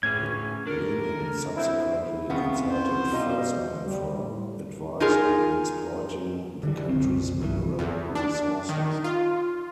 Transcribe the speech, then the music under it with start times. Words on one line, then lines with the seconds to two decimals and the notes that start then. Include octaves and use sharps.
Lenin subsequently consulted Fersman for advice on exploiting the country's mineral resources.
0.03 A2 E3 C#4 G#4 G#6
0.67 D4 A4 A#4
1.56 B3 C4 E4
2.30 C2 A2 C#3 B3 F4
2.71 C5
3.12 B2 G3 D#4 F4
3.86 G3
4.19 A2
5.00 D#4 F4 G#4 A#4
6.63 D3 E3 G3
6.89 F#1 C2 C4
7.40 G1 C2 A#2 E3
7.79 E2
8.15 D4
8.69 D#3
9.04 F4